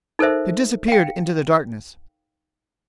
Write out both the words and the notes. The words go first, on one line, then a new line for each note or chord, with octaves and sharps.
They disappeared into the darkness.
D#4 A4 A#4 C5 E5
F5 G5